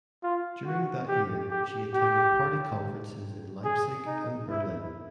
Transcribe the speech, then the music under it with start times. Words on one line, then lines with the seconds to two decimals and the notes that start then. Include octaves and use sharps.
During that year she attended party conferences in Leipzig and Berlin.
0.23 F4
0.66 F#4
1.08 G4
1.51 G4
1.94 G4
3.64 G#4
4.07 D#4
4.49 E4